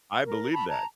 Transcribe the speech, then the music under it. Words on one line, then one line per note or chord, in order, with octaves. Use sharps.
I believe that.
A#4
A5 B5
A5 A#5 G#6